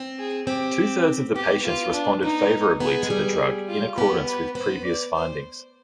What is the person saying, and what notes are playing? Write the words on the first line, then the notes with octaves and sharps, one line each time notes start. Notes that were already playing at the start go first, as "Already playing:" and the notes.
Two-thirds of the patients responded favorably to the drug, in accordance with previous findings.
Already playing: C4
G#4
C4 G4
B3 G4
F4
D4
B3 D#4
B3 G#4
G#3
G3
F4
B3 G4
B4
B3 C5
D5
C5